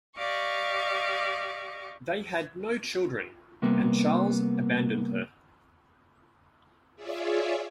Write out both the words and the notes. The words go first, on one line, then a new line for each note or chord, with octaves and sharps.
They had no children and Charles abandoned her.
G4 D5 D#5 F5 C#6 D6
C3 G3 A#3 B3
F4 G#4 C#5 D5 E5